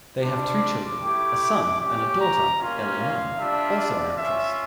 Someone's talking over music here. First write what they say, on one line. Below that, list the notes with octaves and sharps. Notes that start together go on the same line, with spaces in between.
They have two children: a son and a daughter Ellie Nunn also an actress.
G3 D4 F4 D6
A3 E4 G4
C#4 G4 D6
A#5
A#3 C#4 F4
F5
G3 D4 F4 E5
D5
C#4 F4 E5